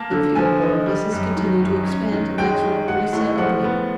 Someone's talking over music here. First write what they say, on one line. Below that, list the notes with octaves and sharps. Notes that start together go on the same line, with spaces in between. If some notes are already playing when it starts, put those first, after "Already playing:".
The fuel orifices continued to expand to maximum pre-set opening.
Already playing: A#3 A5
D3
F3 G#5
D#4
G3
F#2
D#3
F#2
C#4
D#3
G#3 G5
D#3
G#3 F#5
A2
F3 F#5
B3